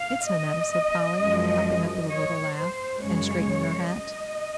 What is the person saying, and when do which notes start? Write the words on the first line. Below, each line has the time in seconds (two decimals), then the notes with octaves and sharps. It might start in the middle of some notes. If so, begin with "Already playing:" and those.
"It's no matter," said Polly, hopping up with a little laugh, and straightening her hat.
Already playing: F5
0.29 D#5
1.19 F#2 F3 G#3
2.10 C#5
2.56 C5
3.01 F#2 C#3 G#3 C#5
3.91 D#5